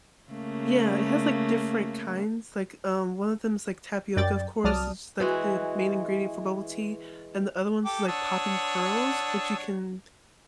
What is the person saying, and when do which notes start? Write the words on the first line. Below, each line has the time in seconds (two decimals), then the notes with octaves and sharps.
Yeah, it has, like, different kinds. Like, um, one of them is, like, tapioca, of course. It's, like, the main ingredient for bubble tea, and the other one's, like, popping pearls, which you can
0.30 C#3 A3 A#3
4.17 F#2 D5 G5 A6
4.64 C2 F#3 D5 A5 D#6 F6
5.20 E3 G#3 F#4
7.85 G4 A4 G5 D6
8.08 D4 C#5 F#5 A5 D#6 E6